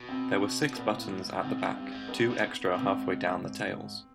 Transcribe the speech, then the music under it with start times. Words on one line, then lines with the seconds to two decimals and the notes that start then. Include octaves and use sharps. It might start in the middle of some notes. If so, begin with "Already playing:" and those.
There were six buttons at the back, two extra halfway down the tails.
Already playing: B2
0.09 C4
0.69 B2
0.76 A#2 B3
0.98 A2
1.20 G#2
1.37 G2
1.42 G#2 C4
1.58 G#2
1.75 G2 C4
1.91 G#2
2.08 G2 B3
2.30 G#2
2.64 B3
2.74 G#2 C4